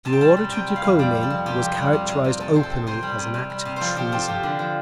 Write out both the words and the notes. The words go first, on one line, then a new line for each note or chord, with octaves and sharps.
The order to Dukhonin was characterised openly as an act of treason....
C3 A5
G5
G3 A5
G3
C3 G5
G3
F5
F2
G3 D5
G3
A4
F2
C3 G4
F2
G3
C3
C3
C3
C3 A4
C4 C5
A4
C4
C3 C5
G3
C3
C3
G3
C3
F3 A4 C5
F3 G4
C4 A4
F3 G4
D3
F3